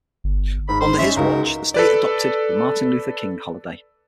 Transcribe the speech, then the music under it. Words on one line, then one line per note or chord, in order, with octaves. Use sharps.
Under his watch, the state adopted the Martin Luther King holiday.
G1
G#2 B5
C5
C#4 D#4 E5
C#2 D#4 F#4 A#4
A4 B4 D5